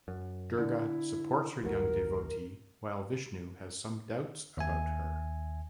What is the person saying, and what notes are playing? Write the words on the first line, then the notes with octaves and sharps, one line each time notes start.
Durga supports her young devotee while Vishnu has some doubts about her.
F#2
D3 E4
A1 D#2 F#3 A#4
D#2 E5 G#5